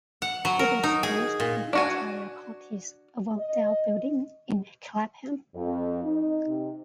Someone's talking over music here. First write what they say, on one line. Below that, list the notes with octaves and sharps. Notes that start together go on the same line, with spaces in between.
It is based in Italia Conti's Avondale Building in Clapham.
F#5
F#3
A#4
D#4
G#4
A#2
D4 F#4 G#5
D#5
F2
D#4
C3